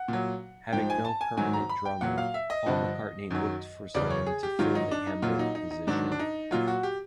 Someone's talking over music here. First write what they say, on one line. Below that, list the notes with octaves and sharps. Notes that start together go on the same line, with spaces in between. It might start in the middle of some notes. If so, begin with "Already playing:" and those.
Having no permanent drummer, Paul McCartney looked for someone to fill the Hamburg position.
Already playing: F#5
A#2 F#3
G#2 F3 G5
G#5
A5
G#5
G#2 D#3 F#3 G#5
A#5
B5
G5
A#2 F#3 F#5
F5
E5
D#5
G2 D3 F3
F#2 D#3 F#3
E2 C#3 E3 D5
C#5
G#4
G4
G#2 D#3 F#3 F4
D#4
D4
D#4
A#2 F#3 F4
D#4
D#4
D#4
G#2 D#3 F#3 D4
D4
D#4
A#2 F#3 F4
F#4
G4